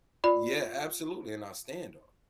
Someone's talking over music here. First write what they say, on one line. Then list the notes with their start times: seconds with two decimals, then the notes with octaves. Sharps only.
Yeah, absolutely, and I stand on 'em.
0.24 F4 D5 B5